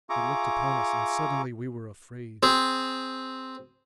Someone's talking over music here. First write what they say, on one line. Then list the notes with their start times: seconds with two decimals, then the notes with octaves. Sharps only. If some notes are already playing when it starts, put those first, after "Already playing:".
But they looked upon us, and suddenly we were afraid.
0.10 F4 G#4 E5 A#5 C#6 D6
2.43 C4 G#4